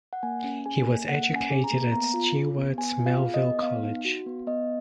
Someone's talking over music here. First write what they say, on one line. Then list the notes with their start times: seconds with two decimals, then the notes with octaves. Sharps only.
He was educated at Stewart's Melville College.
0.13 F#5
0.23 A#3 G#5
0.44 C#4
0.66 G#4 G#5
0.87 A#3
1.08 A#3 F#5
1.30 C#4
1.36 G#5
1.50 G#4
1.64 A#5
1.71 A#3
1.92 B3 A#5
2.14 F4
2.35 G#4
2.57 B3
2.78 B3 G#5
2.99 F4
3.06 F5
3.20 G#4
3.34 D#5
3.41 B3
3.62 B3 F5
3.83 D#4
4.05 F#4
4.26 B3
4.47 B3 D#5